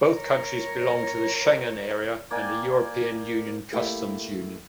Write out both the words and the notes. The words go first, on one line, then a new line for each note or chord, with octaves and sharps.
Both countries belong to the Schengen Area and the European Union Customs Union.
A#4 C#5
A#3 D5 G5 G#5
A3 A#3 E4 G4